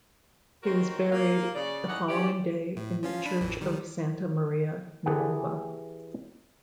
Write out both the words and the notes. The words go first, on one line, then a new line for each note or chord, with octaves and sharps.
He was buried the following day in the church of Santa Maria Nuova.
C4 D#4 F#4 A#4 C5 C#5
A#3 F4
C#3 D5
A2 C#4 D#4 F#5
C#4 G4 D5
A2
F3 C#4 F4
D4 B5
A1 F2 E3
D#3 G3
E3 G4 G#4 F#5 A5